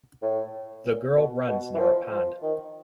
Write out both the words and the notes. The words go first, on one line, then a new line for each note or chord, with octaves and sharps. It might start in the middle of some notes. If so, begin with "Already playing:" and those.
The girl runs near a pond.
A2
A#2
B2
B2
E3
F3
F3
D#3